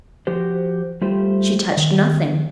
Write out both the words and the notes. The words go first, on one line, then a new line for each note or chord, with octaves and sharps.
She touched nothing.
F3 F#4 G4 C5
G3 A3 F4 G4 C5
D#3